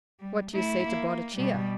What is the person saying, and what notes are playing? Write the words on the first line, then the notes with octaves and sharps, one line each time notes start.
What do you say to Boadicea?
G3
A3 E4
A#3
B2 G3